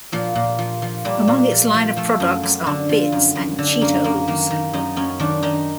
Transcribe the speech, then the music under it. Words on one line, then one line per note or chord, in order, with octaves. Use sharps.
Among its line of products are Bits and Cheetos.
A#2 F3
A#2
F3
F3
A#2 G3
A#2
F3
F3
F3 A3
F#2
F#2
D3
F3
F#2
F#2
D3
F#2 A#3
F#2 A#3
D#3 A#3
D#3
F#2 D#4
F#2 C#4
D#3 D4
D#3 D#4